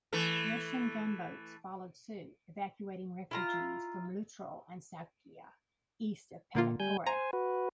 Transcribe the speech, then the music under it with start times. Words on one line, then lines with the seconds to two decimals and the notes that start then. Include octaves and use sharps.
Russian gunboats followed suit, evacuating refugees from Loutro and Sougia, east of Paleochora.
0.13 E3 A3 A4
3.31 E4 F4 A#5
6.55 A#2 D3 A#3 F4
6.80 G3 G#5 G6
7.06 C5 G#5 A#5
7.33 F#4 B4